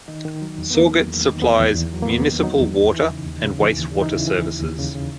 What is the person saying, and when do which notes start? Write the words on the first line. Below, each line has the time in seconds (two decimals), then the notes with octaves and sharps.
Sauget supplies municipal water and wastewater services.
0.08 D#3 D#4
0.25 D#3
0.42 F#3
0.58 E2
0.70 B3
0.75 E2 A#3
0.91 F#3
1.08 E2
1.25 D#3
1.42 E2 B3
1.60 E2
1.76 E2
1.93 F#3
2.02 A#3
2.09 E2 B3
2.27 D#3
2.43 F#3 D#4
2.60 E2
2.76 D#2
2.93 E3
3.10 C#3
3.27 D#2
3.45 C#3
3.61 E3
3.77 D#2
3.95 E3
4.02 D#4
4.11 C#3 E4
4.28 E3
4.46 D#2
4.63 D#2
4.79 C#3
4.95 C#3